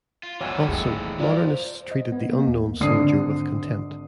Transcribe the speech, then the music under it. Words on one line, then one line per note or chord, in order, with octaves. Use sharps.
Also modernists treated "The Unknown Soldier" with contempt.
F4
F1 C2 A2 D3 F#4 C#5 G#5 E6
D#1 E2 D#4 G#4
G#3 F4 A#4 D5
C5
D#5
B3
A#3
D#2
G#1 D3 D4 D#6 C7